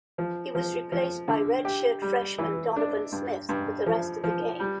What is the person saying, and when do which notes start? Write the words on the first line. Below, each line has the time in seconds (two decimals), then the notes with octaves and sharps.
He was replaced by redshirt freshman Donovan Smith for the rest of the game.
0.18 F3
0.55 F3
0.92 F3
1.28 D3
1.65 G4
2.02 G3
2.38 E3
2.76 D4
3.12 G2
3.49 G2
3.86 F3
4.24 F3
4.60 G3